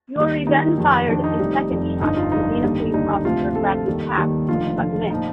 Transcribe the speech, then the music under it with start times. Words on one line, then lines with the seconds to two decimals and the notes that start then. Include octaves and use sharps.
Yorie then fired a second shot at Medina police officer Bradley Kapp but missed.
0.16 D#2 D#3 G3
0.47 D#2 D#3 G3 D#4
0.78 F2 D#3 G3
1.09 F2 D#3 G3 D4
1.24 D#4
1.40 F1 F2 C3 G3
1.70 F1 F2 C3 G3
2.01 G1 G2 F3 D#4
2.17 F4
2.32 G1 G2 F3 D#4
2.63 D#2 D3 G3
2.94 D#2 D3 G3 D#4
3.25 D2 C3 F3 F4
3.55 D2 C3 F3 A4
3.87 D#2 D#3 G3
4.17 D#2 D#3 G3
4.49 F1 F2 D3 F4
4.79 F1 F2 D3
5.10 A#2 F3 D#4